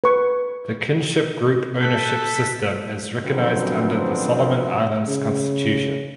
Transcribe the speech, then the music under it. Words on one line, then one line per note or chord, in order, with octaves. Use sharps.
This kinship group ownership system is recognised under the Solomon Islands Constitution.
B4 C#6
A4 F#6 G6 B6
F#2 D3 F3 F#3 B3 C4
C#3